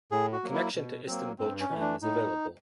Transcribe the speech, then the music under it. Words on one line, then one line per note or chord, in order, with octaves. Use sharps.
Connection to Istanbul Tram is available.
A2 G#4
F#4
F#3 A#3
E4
B2
F#3 A#3 C4
G2 C4
C#4
E3 A3
D4
A2 D#4